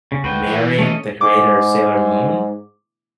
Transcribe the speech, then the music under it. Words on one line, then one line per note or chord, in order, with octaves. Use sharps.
married the creator of Sailor Moon.
C#3
D2 F#4 B4 G5
E3
A3 C#4 D#5
G#2 D6